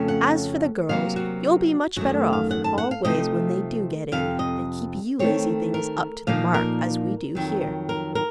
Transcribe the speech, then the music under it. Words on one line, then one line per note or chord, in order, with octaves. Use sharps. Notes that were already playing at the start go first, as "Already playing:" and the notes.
As for the girls, you'll be much better off in all ways when they do get in, and keep you lazy things up to the mark, as we do here.'
Already playing: F2 C#3 A3 C#4
F#5
C3 F#3 A#3 F5
F#4
F#2 D#3 A3 F#4
F5
F#5
A5
F#5
F5
C3 F3 A3 D#4 D#5
F2 C3 F5
D#5
D#3 A3 C4 C#5
A#4
A#2 F3 A#3 D#4 F5
A#4
F2 D#3 F#3
A#4
A#4